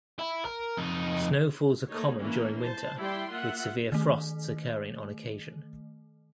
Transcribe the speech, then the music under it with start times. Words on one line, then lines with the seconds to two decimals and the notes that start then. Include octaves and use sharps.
Snowfalls are common during winter, with severe frosts occurring on occasion.
0.19 E4
0.45 A#4
0.77 F2 D#4
1.89 A3 A#3 D#4 C#5
2.20 E3 A#3 C#4 D4
2.59 C5 A5
2.98 G3 E4 D5 G5 C6
3.30 A#3 F4 E5 F#5
3.92 D#3 A3